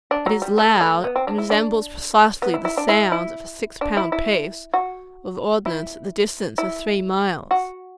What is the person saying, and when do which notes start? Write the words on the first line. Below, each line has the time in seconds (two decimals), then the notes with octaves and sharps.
It is loud, and resembles precisely the sound of a six-pound piece of ordnance at the distance of three miles.
0.11 D4
0.26 F#3
0.42 G3
0.58 A3
0.81 A3
1.04 B3
1.16 C4
1.27 D4
1.38 E4
1.50 D4
2.42 B3
2.54 E4
2.65 E4
2.77 D4
2.89 E4
3.12 E4
3.81 D4
3.97 E4
4.12 E4
4.74 F#4
5.66 E4
6.58 E4
7.51 F#4